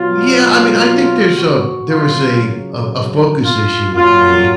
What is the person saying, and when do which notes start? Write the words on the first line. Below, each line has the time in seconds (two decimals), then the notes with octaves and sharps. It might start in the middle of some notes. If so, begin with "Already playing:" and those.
Yeah, I mean, I think there's a there was a a a focus issue with me,
Already playing: B2 F#3 F4
1.37 F#4
1.89 C#3 F#3 F4
3.44 F4
3.96 A#2 F#3 F4